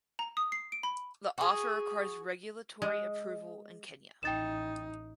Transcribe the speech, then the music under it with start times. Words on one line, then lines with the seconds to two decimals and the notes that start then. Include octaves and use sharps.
The offer requires regulatory approval in Kenya.
0.19 A#5
0.37 D#6
0.52 C7
0.72 D7
0.83 B5
1.38 F#4 G#4
2.82 G#3
4.23 A1 D#4 G5 A6 E7